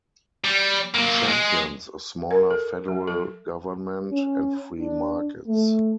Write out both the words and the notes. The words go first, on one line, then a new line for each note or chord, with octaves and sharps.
He champions a smaller federal government and free markets.
G3
F#3 A#3
G#3
A#4
A4
F#3
A4
C#4
D4
A3